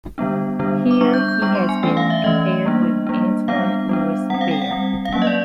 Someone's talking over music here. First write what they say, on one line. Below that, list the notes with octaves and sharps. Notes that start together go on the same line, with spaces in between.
Here he has been compared with Antoine-Louis Barye.
D3 G3 B3 D4
D3 G3 B3 D4
D6
G3 B3 D4 C#6
G6
G6
G3 B3 D4 C#6
C6
G#5
E3 A3 C#4 G5
F5
E5
E3 A3 C#4 D#5
G3 A#3 D4
G3 A#3 D4
G3 B3 D4 F5
G3 B3 D4
G3 C4 F#5
F5
G5
F#5
G3 C4
F5
F#3 A#3 C#4 F#5
D#5
D5